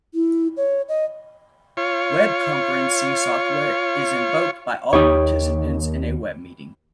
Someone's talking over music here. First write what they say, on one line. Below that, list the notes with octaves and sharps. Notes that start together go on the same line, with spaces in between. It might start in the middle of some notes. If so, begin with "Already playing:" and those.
Web conferencing software is invoked by all participants in a web meeting.
E4
C#5
D#5
F4 C#5
D#2 D#4 G4 C#5